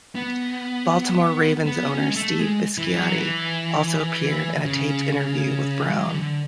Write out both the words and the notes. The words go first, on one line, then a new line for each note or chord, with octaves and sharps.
Baltimore Ravens owner Steve Bisciotti also appeared in a taped interview with Brown.
B3
B3
C#4
G#3
A3
G#3
E3
F#3
E3
C#3
G#3
F#3
E3
D3